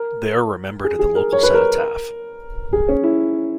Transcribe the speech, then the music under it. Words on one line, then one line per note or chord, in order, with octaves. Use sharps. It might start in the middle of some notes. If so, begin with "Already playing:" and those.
They are remembered at the local cenotaph.
Already playing: A#4
G#4
G#4
A#4
C#5
B4
A#4
G#4
C#4
E4